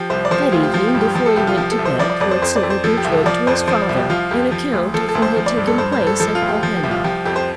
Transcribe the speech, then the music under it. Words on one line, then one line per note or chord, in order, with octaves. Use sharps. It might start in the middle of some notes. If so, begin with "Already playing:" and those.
That evening before he went to bed Lord Silverbridge wrote to his father an account of what had taken place at Polpenno.
Already playing: F3 G4
C2 C5
D5
F3 C5
G4
D2 F4
G4
F3 F4
G4
G2
G4
F3 G4
A4
C2 G4
F4
F3 G4
A4
C2
C5
F3 D5
D5
F2 D5
C5
F2 C5
D5
F2
C5
F3 A4
G4
C2
A4
F3 D5
F2 C5
F3 C5
D5
C2
G4
F3 F4
F2 G4
F3
D2
F3 A4
A4
D2
C5
F3
D5
G2
A4
G2 C5
C5
G2
A4
F3 A4
F4
D2
G4
F3
G4
C2
F4
F3 G4
F2 G4
C5